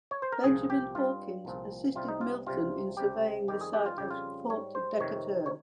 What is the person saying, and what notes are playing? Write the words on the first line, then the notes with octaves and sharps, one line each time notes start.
Benjamin Hawkins assisted Milton in surveying the site of Fort Decatur.
C#5
C5
A#4
C2 A#2 F3 G#4
G4
G2 G3 F4
C2 A#2 F3
C2 C3 G3 F4
D#4
F4
C#2 C3 G3 F4
C#2 C3 G3 G4
F2 D#3 G3 G4
G#4
G4
F4
F2 C#3 G3 G4
F4
G#2 G3 C#5
C5
F2 C3 D#3 C#5
C#5